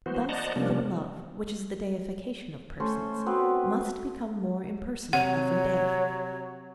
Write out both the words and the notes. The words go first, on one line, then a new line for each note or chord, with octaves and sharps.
Thus even love, which is the deification of persons, must become more impersonal every day.
E3 B3 F#4 C5
C5 D5 D#5 F#5 A5 A#5
C3 F3 G3 A#3 C#4 D4
A3 C#4 A4 C5
B3 C4 F#4 B4
C3 F#3 C#5 F#5